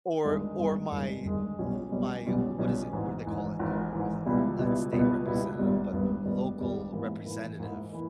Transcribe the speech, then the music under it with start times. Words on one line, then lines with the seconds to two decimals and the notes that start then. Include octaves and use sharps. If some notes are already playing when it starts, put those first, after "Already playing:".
or or my, uh my w what is it? What do they call it? Your s uh, not state representative, but local representative
0.25 G1 G2 D#3 G#3
0.59 G1 G2 D#3 G#3
0.92 G1 G2 D#3 G#3
1.25 G1 G2 D#3 G#3
1.59 B1 B2 G3 C#4
1.92 B1 B2 G3 C#4
2.26 B1 B2 G3 C#4
2.58 B1 B2 G3 C#4
2.93 G#1 G#2 E3
3.26 G#1 G#2 E3
3.59 G#1 G#2 E3
3.93 G#1 G#2 E3
4.26 C#2 B2 G3 B3 E4
4.59 C#2 B2 G3 B3 E4
4.92 C#2 B2 G3 B3 E4
5.26 C#2 B2 G3 B3 E4
5.59 G#1 G2 G3 B3
5.93 G#1 G2 G3 B3
6.26 G#1 G2 G3 B3
6.58 G#1 G2 G3 B3
6.92 G#2 E3 A#3 E4
7.25 G#2 E3 A#3 E4
7.59 G#2 E3 A#3 E4
7.93 E3 A#3 E4